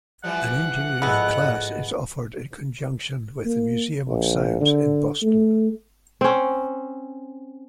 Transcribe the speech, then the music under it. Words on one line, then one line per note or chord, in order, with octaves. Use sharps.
An engineering class is offered in conjunction with the Museum of Science in Boston.
E3 F3 G3 F#5
F2 G#2 E3 B3 G#4 F#6
A#3
A#1
D3
A3
C4 C#4